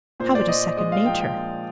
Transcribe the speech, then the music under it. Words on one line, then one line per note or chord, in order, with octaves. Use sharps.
Habit is second nature.
A#2 C5
D5
A#2 D#5
G#3 D#5
F5
F3 G5
G5
A#2